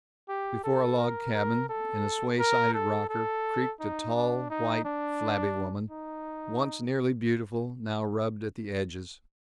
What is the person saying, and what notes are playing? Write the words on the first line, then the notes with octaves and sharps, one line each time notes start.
Before a log cabin, in a sway-sided rocker, creaked a tall, white, flabby woman, once nearly beautiful, now rubbed at the edges.
G4
A4
A#4
A#4
A4
A#4
A4
A4
D#4
D4
D#4
D4
D#4